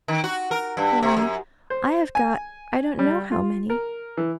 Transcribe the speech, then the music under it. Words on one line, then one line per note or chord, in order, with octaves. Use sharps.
Why, I have got I don't know how many.
D#3
F#4
A#4
G2
C3
F#2
C5
G#5
G3
F4
A#4
E3